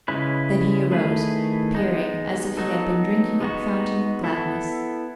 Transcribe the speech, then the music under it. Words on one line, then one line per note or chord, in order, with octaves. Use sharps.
Then he arose, appearing as if he had been drinking at the fountain of gladness.
C#3 G#3 C#4 E4 B4
D#3 A3 E4 G#4 B4
G#3 B3 D#4
F#3 B3 D#4 A4
G#3 B3 D#4 F#4
B3 E4 A4